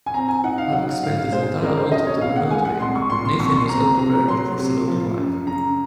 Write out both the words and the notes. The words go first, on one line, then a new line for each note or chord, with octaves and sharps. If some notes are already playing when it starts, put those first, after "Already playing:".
Having spent his entire adulthood in the military, Nathan was ill-prepared for civilian life.
G#5
C4 A#5
G#5
D#4 F#5
F5
F#3 F#5
G#2 F5
F5
G#3 C5
C#2 A#4
C5
C#3 D#5
C#5
C#2 F5
F#5
G#3 G#5
F#5
C2 C6
C#6
A#2 C6
C6
C2 C#6
C6
C4 A#5
C3 A#5
F#3 C6
C3
F3
F#2
C#3 A#5